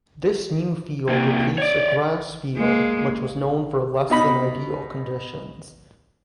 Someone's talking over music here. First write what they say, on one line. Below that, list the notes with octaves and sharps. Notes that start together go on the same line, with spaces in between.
This new field replaced a grass field which was known for less-than-ideal conditions.
C3 A#3
C#5 D5
G#3 A#3
B2 D#4 B5